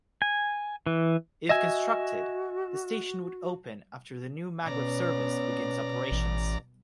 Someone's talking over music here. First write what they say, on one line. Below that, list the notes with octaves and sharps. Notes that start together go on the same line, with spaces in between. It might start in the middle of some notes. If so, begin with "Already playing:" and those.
If constructed, the station would open after the new maglev service begins operations.
G#5
E3
F#4 D#5 E5 G#5
B2 C#4 B4 C#5 D5 A#5
A1